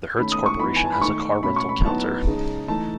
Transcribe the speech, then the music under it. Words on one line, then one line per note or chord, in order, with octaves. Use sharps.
The Hertz Corporation has a car rental counter.
D#3 A3 C#4 B5
D#6
C#6
E3 B3 D#4 B5
G#5
A5
B5
D#3 A3 D#4 C#6
B2 A3 C#4 B5
C#6
B5
A2 F#3 B3 D#4 A5
C#3 G#3 D#4
E3 A3 D#4 A5